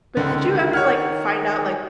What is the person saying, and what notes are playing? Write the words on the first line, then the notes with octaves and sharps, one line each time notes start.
But did you ever, like, find out, like,
C#2 D3 D#3
C#5 F#5 F6